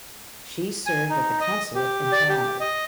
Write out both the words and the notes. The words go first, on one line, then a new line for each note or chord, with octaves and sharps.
She served at the consulate in Toronto.
G#5
D#4
D#5
G4
D5
G4
D#5